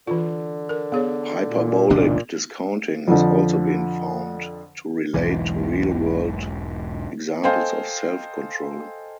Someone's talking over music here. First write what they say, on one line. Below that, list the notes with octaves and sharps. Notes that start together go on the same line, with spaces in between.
Hyperbolic discounting has also been found to relate to real-world examples of self-control.
D3 E3 F4
A#4
B3 G#4 C#5
A#2
E1 C#2 A#2 D4
F2 D3 F3
E1 B1 G#2 E3
A4 C5 D#5 F5 G5 G#5